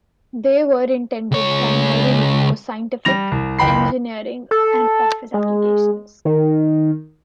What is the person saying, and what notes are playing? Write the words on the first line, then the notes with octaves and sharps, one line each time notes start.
They were intended primarily for scientific, engineering and office applications.
C#2 C#5
G3 A#6 F7
C2
F#1 C#2 G5 B5 C7
A4
G#3
D#3